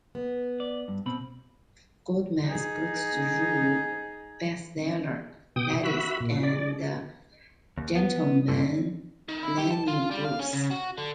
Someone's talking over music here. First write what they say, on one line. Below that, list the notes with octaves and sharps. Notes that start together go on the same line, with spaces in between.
Goldman's breakthrough bestseller, Ladies and Gentlemen - Lenny Bruce!!
B3
D5
G2
B2 C4 B5
D#4 G#4
B2 G5 D#6
F#4 E5 B5
A#2
D5
D#2
B3
G2 A#2 D3 A3
D#3
E4
G4
A5
F4
G3
F5
C#4
C#3
F#4
D3